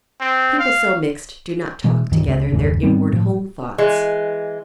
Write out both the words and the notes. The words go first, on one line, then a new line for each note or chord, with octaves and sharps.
People so mixed do not talk together their inward home thoughts.
C4
F5
B2 E3 G#3
C#2 G2 D#3 E3
C#2 C#3
F#1 D#2 G#2 C#3
G#2 G3 B3 C4
A2 F3
E3 G#3